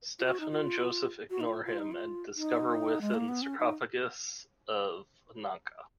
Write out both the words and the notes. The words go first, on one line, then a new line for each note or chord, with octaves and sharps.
Stephen and Joseph ignore him, and discover within the sarcophagus of Ananka.
F4
F#4
D#4
F4
F#4
D#4
F4
F4
D#4
F4
D#4
G#3
A#3
B3
C#4
D#4